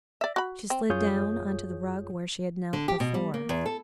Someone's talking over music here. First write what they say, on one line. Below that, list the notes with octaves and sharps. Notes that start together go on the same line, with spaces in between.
She slid down on to the rug where she had knelt before.
D5 E5
F#4 B5
C4
F#2 F4 G#4 C#5 D#6 G6
D3
G4
B2
G3
A#3
E2
A4